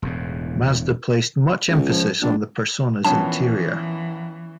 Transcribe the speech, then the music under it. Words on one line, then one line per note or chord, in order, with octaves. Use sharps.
Mazda placed much emphasis on the Persona's interior.
E1 E2 A2
C#2
F3
A#1 D4
A#1 E3 B3 C#4 A5